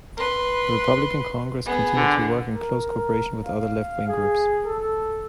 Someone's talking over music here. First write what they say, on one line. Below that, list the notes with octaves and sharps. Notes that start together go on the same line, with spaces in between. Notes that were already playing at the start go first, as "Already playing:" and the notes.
The Republican Congress continued to work in close co-operation with other left-wing groups.
B4 C6
B3 G#4
D3
A#4
F5
G#4
A4